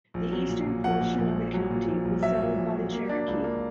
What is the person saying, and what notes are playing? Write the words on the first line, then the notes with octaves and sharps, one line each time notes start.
The eastern portion of the county was settled by the Cherokee.
A#1
F#3
A#2
A#2
A#1 F#5
A#2
A#1
A#1
F#3
A#2
A#1
A#1
F#3 E5
A#2
A#1
F#3
A#3
D4
C#2
A#3